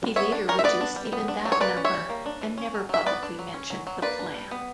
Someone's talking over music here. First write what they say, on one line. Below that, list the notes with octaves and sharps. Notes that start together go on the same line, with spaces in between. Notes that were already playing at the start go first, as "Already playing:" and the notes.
He later reduced even that number and never publicly mentioned the plan.
B3 C#5 E5
D4
G3 A#4 C#5
E5
B3 B4 D5
D4
G3
B3
D4
F#3
C#5
A#3 B4 D5
C#4
C#5 E5
G3
A#3
D4
E3
C#4
F#3
F#3 E5
B3 B4 D5
D4
F#3
C#4
F#3
F#3
A#3 B4 D5
D4
G3
B3